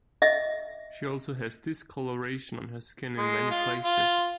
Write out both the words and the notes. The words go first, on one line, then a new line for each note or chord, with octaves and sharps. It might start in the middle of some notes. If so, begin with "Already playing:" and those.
She also has discoloration on her skin in many places.
D#5 E5
G#3
F4
F4